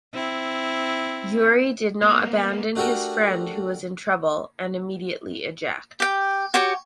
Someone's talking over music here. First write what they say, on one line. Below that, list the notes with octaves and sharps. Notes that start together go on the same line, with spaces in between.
Yuri did not abandon his friend who was in trouble and immediately eject.
C4 E4
A#3 B3
A3 D4 F#4 G4 A4 A#4
G4 G5
F#4 G4 C#5